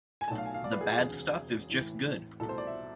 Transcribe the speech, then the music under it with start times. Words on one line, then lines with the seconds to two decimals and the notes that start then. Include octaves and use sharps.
The bad stuff is just good.
0.21 G#5
0.28 B1 B2 A3 A5
0.38 F5
0.46 G#5
0.54 F5
0.64 D5
0.73 B4
0.81 G#4
0.90 F4
0.98 E1 D2 C3 G#4
1.69 A1 A2 E3
2.40 C2 B2 A3 A4
2.49 C5
2.58 D5
2.67 E5